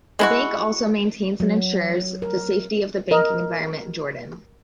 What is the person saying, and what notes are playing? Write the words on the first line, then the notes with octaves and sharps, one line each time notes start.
The bank also maintains and insures the safety of the banking environment in Jordan.
G#3 E4 F#4
F#3
A#4
A#4 D#5